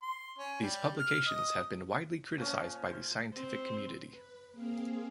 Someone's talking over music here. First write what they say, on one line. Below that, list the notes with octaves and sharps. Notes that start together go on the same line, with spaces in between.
These publications have been widely criticised by the scientific community.
C6
C#4
G3
F6
D#5
A#2 F3 C#4
C5
C4
B4
A#3 C4 G#4 F5